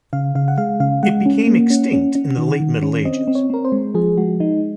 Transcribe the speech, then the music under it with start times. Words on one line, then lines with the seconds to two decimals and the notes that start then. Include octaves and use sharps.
It became extinct in the Late Middle Ages.
0.13 C#3 F5
0.35 C#3 F5
0.48 F#5
0.58 G#3 F5
0.80 C#3 F5
1.03 G#3 F#5
1.26 C#4
1.47 A#3
1.70 C#4
1.93 C#4
2.15 C#4
2.38 D#3
2.60 D#3
2.83 C#4
3.05 C4 D#5
3.28 C4
3.35 C#5
3.50 C4 A#4
3.65 C5
3.72 G#3
3.94 F3 G#4
4.17 G#3 F#4
4.40 G#3 D#4